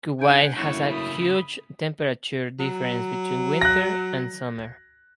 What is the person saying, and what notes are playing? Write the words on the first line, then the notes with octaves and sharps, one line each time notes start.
Kuwait has a huge temperature difference between winter and summer.
D4 F#5 G#5 G6 D7
F#2 C#3 A3 A#3 E4 C#5 F#5
B5 D#6
F#3
F#6 A#6